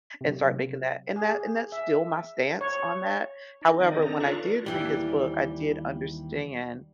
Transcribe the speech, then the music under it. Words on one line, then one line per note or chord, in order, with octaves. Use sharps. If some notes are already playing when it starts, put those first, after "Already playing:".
and start making that And that and that's still my stance on that. However, when I did read his book, I did understand,
C3 F#3
G#4
E5
C#5
D#4
D#3 C4 D#4 D5 D#5
D4 D#4 A4 A#5
F4 A4 B4 D5 A#5 C#6
D#2 E3 G3